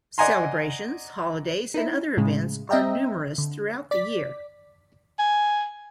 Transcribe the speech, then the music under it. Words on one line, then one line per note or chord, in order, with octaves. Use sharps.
Celebrations, holidays and other events are numerous throughout the year.
D5 D#5 F#5 G#5 A#5 C6
D#4 E4
A2 C#3 G#3
C4 D#5 E5 G5 A#5
D3
D5 B6
G#5